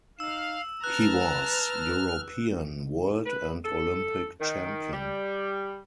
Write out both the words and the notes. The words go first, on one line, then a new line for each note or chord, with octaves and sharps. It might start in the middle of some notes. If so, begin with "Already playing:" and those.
He was European, World and Olympic champion.
D#4 F5 E6 E7
B4 A5 A#5 F6 F#6
B4
A4
D#3
G3